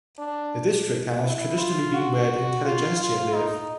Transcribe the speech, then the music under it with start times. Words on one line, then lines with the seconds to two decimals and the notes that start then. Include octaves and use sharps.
The district has traditionally been where the intelligentsia live.
0.18 D4
1.23 E4
1.59 F4
1.94 F#4
2.64 F4
2.99 F4
3.35 D#4